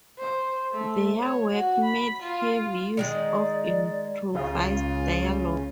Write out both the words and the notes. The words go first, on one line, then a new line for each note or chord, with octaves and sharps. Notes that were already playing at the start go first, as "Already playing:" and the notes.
Their work made heavy use of improvised dialogue.
C5
A3
C#5
F#4
B5
F4
D3 D#3 G#3 D5
C#2 C#3 F4